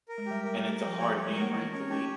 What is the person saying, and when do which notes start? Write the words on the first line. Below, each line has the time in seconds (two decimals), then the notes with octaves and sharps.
And it's a hard game, right, to beat?
0.08 A#4
0.18 G#3
0.26 G3 G4
0.45 G3 A#4
0.58 G3
0.63 A#4
0.81 F3 G4
0.99 F3 C#5
1.14 G3 C#5
1.27 G#3
1.35 A#4
1.41 A#3
1.53 E3 E4 C#5
1.72 C#4 C#5
1.81 C4
1.90 C#4 G4